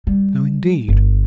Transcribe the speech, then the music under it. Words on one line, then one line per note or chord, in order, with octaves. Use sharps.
No, indeed!
G3
G1